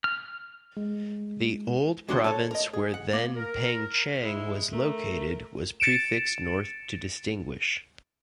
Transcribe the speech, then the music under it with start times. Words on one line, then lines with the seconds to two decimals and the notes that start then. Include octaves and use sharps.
The old province where then Pengcheng was located was prefixed "North" to distinguish.
0.04 F6
0.77 G#3
2.08 D2 F#3 D4 F#4 F#5 C6
2.24 A4 C#5 A5
2.51 A#4 D#5
2.73 G#4
2.94 F#5
3.13 A#3
3.36 A#4
4.22 G#3 E4
4.72 A3 A#4
5.80 A6 C#7 D7 E7